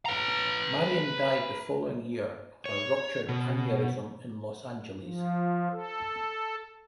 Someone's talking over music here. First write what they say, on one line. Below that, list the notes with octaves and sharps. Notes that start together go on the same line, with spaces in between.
Marion died the following year of a ruptured aneurysm in Los Angeles.
B4 A#5
C#5
B2
F3
A4